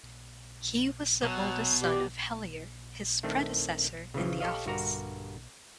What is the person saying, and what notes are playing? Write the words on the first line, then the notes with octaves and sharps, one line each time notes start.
He was the oldest son of Hellier, his predecessor in the office.
B2 F#3
G4 D5
D#3 A3 C4 D4
C#3 E3 F3
G4 A4 C#5 D#5 F5
G2 D3 F#4 A#4 D5 A#5